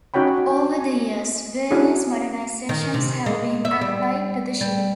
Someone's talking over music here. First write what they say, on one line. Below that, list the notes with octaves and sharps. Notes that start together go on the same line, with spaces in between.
Over the years, various modernizations have been applied to the ship.
C#4 D#4 F#4 C#5 G5 B5
G#5
C#4 D4 E4 F#4 G#4
D#3
C3
G#3
E5
G3
G3